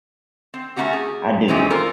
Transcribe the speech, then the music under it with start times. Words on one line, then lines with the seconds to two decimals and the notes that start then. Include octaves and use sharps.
I do.
0.54 C4
0.76 A3 C#4 D#4 E4 F#4 G4
0.93 G#4
1.48 E3 F3 G#3 C4 C#4
1.70 F4 A4 A#4 D5